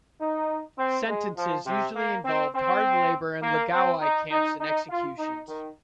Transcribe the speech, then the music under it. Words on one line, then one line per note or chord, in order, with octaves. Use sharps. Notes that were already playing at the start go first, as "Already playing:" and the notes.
Sentences usually involved hard labor in "laogai" camps and executions.
D#4
C4
G#3
F3
C3
A#3
C4
C4
A#3
C4
D#4
D#4
D#4
F4
D#4
D#3